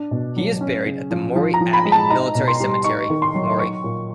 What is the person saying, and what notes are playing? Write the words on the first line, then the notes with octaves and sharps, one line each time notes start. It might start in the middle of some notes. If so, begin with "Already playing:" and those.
He is buried at the Morey Abbey Military Cemetery, Mory.
Already playing: D4
B2
F#3
C#4
C#3
F3
F3
A#5
F3
B5
G#3
A5
D#4 A#5
B2
C6
G3
D#4 C#6
D#3
C6
F#3
D#4 C#6
A#2